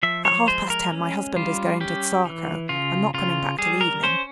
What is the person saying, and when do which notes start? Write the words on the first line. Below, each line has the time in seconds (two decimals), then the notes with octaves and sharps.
At half-past ten my husband is going to Tsarskoe and not coming back till evening.
0.03 F3 E5
0.25 C#5
0.47 G#3 C5
0.70 A#4
0.92 C#4
1.36 G3 F4
1.80 C#4 G4
2.25 E3
2.69 C#3 F4
3.14 C#3 F4
3.59 G3 G#4
3.81 A#4
4.03 C#4 C5